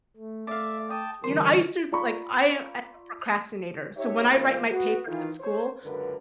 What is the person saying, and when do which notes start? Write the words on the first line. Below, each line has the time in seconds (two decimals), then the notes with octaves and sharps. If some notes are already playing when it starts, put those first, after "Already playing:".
You know, I used to like, I am I am a procrastinator, so when I write my papers at school,
0.17 A3
0.47 A3 D5 E5 F5
0.90 G5 A5 D#6
1.24 D3 E3 G3 A#4 C5
1.92 F4 D5 A#5 B5 C#6
3.96 D#4 G4 C#5 E5
4.30 G#2 E3 A#3 F4 G#4 C5
4.71 B3 F#4
5.07 D#3 E3 D#4 F4
5.40 C5 C#5
5.84 C#2 F#2 D3 A#4 B4